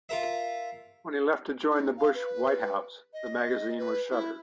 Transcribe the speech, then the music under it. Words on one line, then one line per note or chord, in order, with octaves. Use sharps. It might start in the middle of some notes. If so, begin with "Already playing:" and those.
When he left to join the Bush White House, the magazine was shuttered.
F4 A#4 E5
D#4
F5
B4
D#5
B4
E4